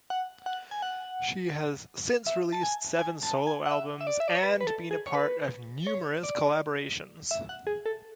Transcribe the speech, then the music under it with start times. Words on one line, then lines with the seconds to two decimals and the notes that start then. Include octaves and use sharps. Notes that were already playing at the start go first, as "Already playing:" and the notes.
She has since released seven solo albums and been a part of numerous collaborations.
0.10 F#5
0.46 F#5
0.71 G#5
0.82 F#5
2.27 E5
2.52 A5
2.63 G#5
2.99 G#5
3.23 A5
3.47 G#5
3.66 F#5
3.71 E5
4.01 E5
4.07 D5
4.20 E5
4.28 D5
4.35 C#5
4.43 B4
4.61 B4
4.67 A4
4.91 G#4
5.07 C#5
5.15 B4
5.87 C#5
6.23 D5
7.31 E5
7.49 F#5
7.67 G#4
7.86 A4